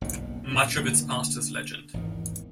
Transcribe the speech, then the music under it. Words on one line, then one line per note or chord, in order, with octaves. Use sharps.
Much of its past is legend.
F#1 B1 A2
A#2 C#4
D3 A#3 B3
G#1 E2 D#3